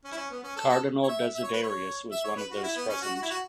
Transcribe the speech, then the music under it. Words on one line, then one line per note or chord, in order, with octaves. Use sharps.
Cardinal Desiderius was one of those present.
C#4
E4
C#4
B3
C#4
A4
A4
C#5
E5
E5
C#5
B4
C#5
E5
C#5
B4
F#4
E4
B3
C#4
F#4
F#4
E4
F#4